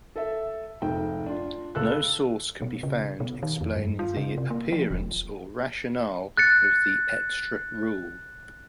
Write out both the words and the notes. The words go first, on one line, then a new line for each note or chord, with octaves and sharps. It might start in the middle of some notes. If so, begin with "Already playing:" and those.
No source can be found explaining the appearance or rationale of the extra rule.
A4 E5
F1 G#2 G5
D4 F4
C#2 A4 E6 F#6
B2
C#3
B2
D#3
F2
G2
F4
C#3
C3
A#3
F3
E1
F#6 A6 C#7